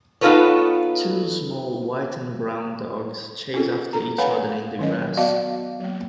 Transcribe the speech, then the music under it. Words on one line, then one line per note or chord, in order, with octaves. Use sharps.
Two small white and brown dogs chase after each other in the grass.
B3 D#4 F4 A4 B4 C#5
C4 C#4 F4 G#4 A4
D4 A4 A#5
B4 C#5 F5 F#5 G#5 B5
D#3 F#3 C#4 C#5 D#5
B3 F#4 D5 D#5 F5 A5
F#3 A#3